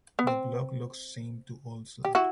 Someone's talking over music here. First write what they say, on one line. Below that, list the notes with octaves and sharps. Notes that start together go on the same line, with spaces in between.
The block looks same to Old Slab.
B3
C4
G4
E4 F#4